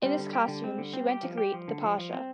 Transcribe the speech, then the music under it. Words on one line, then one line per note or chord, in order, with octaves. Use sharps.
In this costume she went to greet the Pasha.
G3 C4
D3
G4
D3
C4
D3
C4
G4
F3
G4
F3
D3
F3
F3
C4